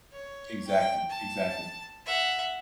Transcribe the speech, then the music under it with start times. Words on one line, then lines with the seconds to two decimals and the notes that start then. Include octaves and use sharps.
Exactly, exactly.
0.12 C#5
0.67 G5
1.10 A5
2.06 E5 F#5